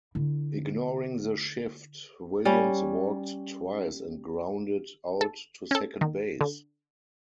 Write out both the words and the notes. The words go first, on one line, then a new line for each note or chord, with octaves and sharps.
Ignoring the shift, Williams walked twice and grounded out to second base.
D3 E4
G3 C#4
A4
C#4 A4
D#3
D3